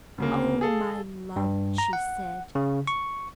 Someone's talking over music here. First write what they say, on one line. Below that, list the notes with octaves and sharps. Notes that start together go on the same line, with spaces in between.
"Oh, my love!" she said.
D2 C#3 A#3
G#4 A4 F5
G2
A#5
F#5
C#3
C#6